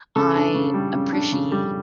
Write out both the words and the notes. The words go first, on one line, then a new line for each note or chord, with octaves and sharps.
I appreciate
C#3 A4
D4
C#3
G3
C#3
D4
C#3
G3